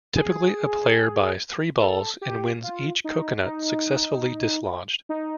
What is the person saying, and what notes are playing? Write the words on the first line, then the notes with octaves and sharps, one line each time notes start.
Typically a player buys three balls and wins each coconut successfully dislodged.
G#4
A4
G4
F4
D#4
D#4
D#4